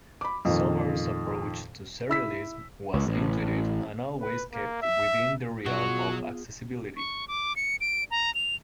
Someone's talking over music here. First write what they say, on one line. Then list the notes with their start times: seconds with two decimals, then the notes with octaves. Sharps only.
Somers's approach to serialism was intuitive and always kept within the realm of accessibility.
0.21 B5 D6
0.45 F2 A#2 D#3
2.09 E4 E6 B6
2.94 C#2
3.07 A1
4.21 B4
4.53 A#3
4.82 E5
5.66 B2 F#3 F4 F#4 G#4
6.96 C#6
7.28 D6
7.56 C#7
7.81 D7
8.11 A#5
8.35 F7